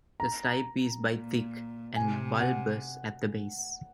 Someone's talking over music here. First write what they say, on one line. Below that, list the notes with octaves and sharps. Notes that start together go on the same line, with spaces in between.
The stipe is by thick, and bulbous at the base.
A#5
A#2
C3 G#5
F#5